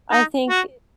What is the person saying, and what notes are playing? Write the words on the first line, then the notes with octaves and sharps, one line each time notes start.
I think
D#4
F#4